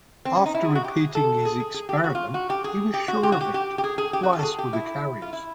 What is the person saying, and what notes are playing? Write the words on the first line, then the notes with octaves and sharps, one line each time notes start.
After repeating his experiment he was sure of it: lice were the carriers.
C4
C#4
D#4
E4
G#4
F#4
G4
G#4
A4
G#4
G#4
G#4
G4
F#4
F4
F#4
G4
G#4
G4
F#4
G4
F#4
G4
G4
G4
G#4
G#4
G4
F#4
F4
A4
G#4
G4
E4
F4
E4